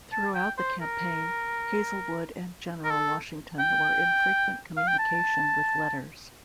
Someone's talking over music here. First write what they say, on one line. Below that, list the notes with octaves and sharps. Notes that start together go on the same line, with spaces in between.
Throughout the campaign Hazelwood and General Washington were in frequent communication with letters.
A5
G5
C5
A#4
A#4
A4
G5
F5
G5
A5